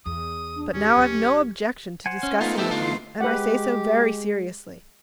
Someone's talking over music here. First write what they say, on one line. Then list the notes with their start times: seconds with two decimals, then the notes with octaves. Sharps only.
But now I've no objection to discussing with you, and I say so very seriously.
0.06 E2 D#6
0.55 D4
0.74 D#2 C#4 G4
0.95 D1 C4
2.06 C5 F#5 G#5
2.23 C#4
2.41 A3 B3 D#4 F4
2.58 G4 A4 B4 E5
2.71 D3 F4
2.82 C6
3.21 G#3 G4 B4 F#5